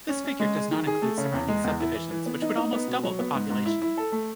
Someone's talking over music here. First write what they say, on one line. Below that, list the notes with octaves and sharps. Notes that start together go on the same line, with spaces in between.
This figure does not include surrounding subdivisions which would almost double the population.
C#4
C#4
G#3
G#4
D#3
G#4
A3
C#3
E2
G#3
E2
E4
E3
E3
B3
D#4
D#4
B3
B2
F#3
B3
G#2
G#2
E4
E4
A4
A3